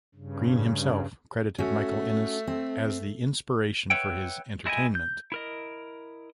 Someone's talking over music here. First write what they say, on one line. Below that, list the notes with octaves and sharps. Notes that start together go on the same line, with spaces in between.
Greene himself credited Michael Innes as the inspiration for his "entertainment".
G2 C#3
A3 C#4 F#4
C4
B4 C#5 E5 F#5 G5
G#3 E4 D#5 G5 G#5
G6
E4 A#4 D#5